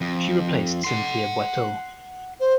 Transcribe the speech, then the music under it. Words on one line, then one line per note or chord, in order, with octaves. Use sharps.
She replaced Cynthia Bioteau.
F2
F#5 C6
C5